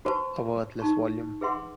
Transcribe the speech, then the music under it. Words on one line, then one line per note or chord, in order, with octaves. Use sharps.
A worthless volume!
F#4 B4 C5 A5 C#6
D#4 A5 C#6
G#4 B4 E5 F#5 C6